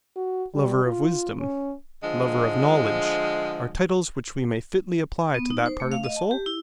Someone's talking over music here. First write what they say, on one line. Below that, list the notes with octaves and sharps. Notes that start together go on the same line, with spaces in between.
'Lover of wisdom,' 'lover of knowledge,' are titles which we may fitly apply to that part of the soul?
F#4
G3
F4
C#4
D3 F3 G#3
B3
D#4
C5
A3
F5
D#5
A5
G4
E4